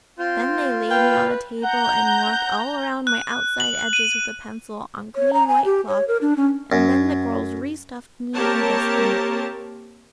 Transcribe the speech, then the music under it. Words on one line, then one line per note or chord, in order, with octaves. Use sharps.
Then they laid me on a table and marked all around my outside edges with a pencil on clean white cloth, and then the girls re-stuffed me and dressed me.
C4 F4
B4 F5 G5
F#5 A#5 G6
F#6
F#7
D#7
C#5
A#5
G#5
G4
C#5
A#4
D4
C#4
F#2
A#3 C4 G4 A#4 C#5 A5